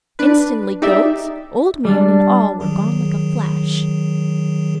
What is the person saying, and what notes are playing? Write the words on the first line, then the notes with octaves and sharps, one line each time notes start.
Instantly goats, old man, and all were gone like a flash.
D4 B4
D#4 G4 D5 E5
G3 D4
D#3 F#3 G#4